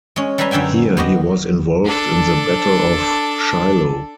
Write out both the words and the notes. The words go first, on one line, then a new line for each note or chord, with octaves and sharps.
Here he was involved in the battle of Shiloh.
G#3 C#4
G3 B4 E5 G#5 A#5 C6
F#2 D3 E5 G5 G#5
B3 F#4 G4 D#5
D4 A4